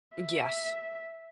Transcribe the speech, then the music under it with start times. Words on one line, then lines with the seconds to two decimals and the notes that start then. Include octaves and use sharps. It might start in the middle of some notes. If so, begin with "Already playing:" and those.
Uh, yes.
0.17 E5